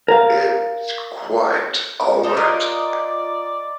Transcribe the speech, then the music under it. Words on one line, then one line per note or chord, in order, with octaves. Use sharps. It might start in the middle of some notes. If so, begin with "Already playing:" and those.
It's quite all right.
A#4 F5
D4 D#4
F4 A#4 D5 D#5